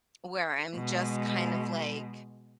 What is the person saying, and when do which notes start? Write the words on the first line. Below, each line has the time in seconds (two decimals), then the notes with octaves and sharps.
where I'm just kind of, like
0.75 B2 G#3